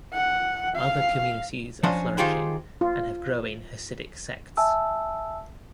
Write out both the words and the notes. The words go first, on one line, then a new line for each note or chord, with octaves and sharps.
Other communities are flourishing and have growing Hasidic sects.
F#5
F5
F3 F#3 C#4 D4 C5
D#3 D#4 F4 G4 G#4 C5
F4
E5 G#5 A5 E6